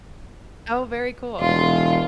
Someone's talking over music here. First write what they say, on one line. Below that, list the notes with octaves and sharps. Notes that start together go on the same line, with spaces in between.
Oh, very cool.
E1 F4